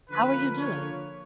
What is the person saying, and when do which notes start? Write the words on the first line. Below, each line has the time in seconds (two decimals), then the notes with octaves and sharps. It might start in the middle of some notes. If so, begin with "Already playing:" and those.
How are you doing?
0.10 D3 F3 A#3 B4
0.58 C#5